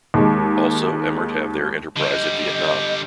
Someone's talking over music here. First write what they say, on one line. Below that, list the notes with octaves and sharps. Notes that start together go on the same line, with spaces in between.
Also Emart have their enterprise at Vietnam.
D#2 G#3
D3 G3 D#5